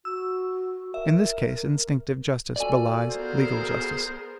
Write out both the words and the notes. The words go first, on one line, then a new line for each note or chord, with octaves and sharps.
In this case, instinctive justice belies legal justice.
F#4 E6
A#4 E5
F4 F#4 A4 D5 G#5
B3 G#4 A#4 C5